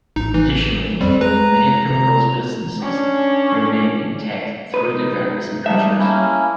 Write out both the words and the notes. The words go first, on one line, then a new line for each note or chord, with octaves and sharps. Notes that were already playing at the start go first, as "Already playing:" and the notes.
Additionally, many of Chemical's businesses remained intact through the various mergers.
A1 D#4
E3
F2 G3 C4
G#3 B4 A#5
C3
C#4 D4
D#4 B4
G3 D4 D#4 E5
A#3 C#4 E4